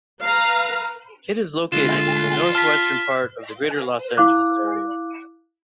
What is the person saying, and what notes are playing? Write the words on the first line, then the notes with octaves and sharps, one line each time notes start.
It is located in the northwestern part of the Greater Los Angeles Area.
B4 F5 A#5
D3 G#3 F4 E7
A5 F6 B6
E4 F5 D6 F#6